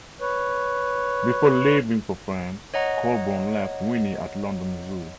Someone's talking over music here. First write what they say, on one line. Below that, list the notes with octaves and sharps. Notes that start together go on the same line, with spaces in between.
Before leaving for France, Colebourn left Winnie at London Zoo.
B4 C#5
C#5 D#5 F#5 A#5